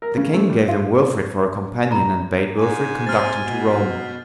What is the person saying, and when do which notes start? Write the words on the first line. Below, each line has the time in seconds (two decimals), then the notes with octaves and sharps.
The king gave him Wilfrid for a companion, and bade Wilfrid conduct him to Rome.
0.02 A#4
0.17 C#3
0.33 A3
0.50 G3
0.68 F4
1.91 F4 A#5
2.59 G#2 G#5
3.07 C3 F6 A6
3.41 B2